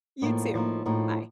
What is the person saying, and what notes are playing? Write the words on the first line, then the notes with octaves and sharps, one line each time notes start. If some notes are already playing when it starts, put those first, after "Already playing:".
You, too. Bye.
A2 F3 A#3 D#4
A2 F3 A#3 D#4
A2 F3 A#3 D#4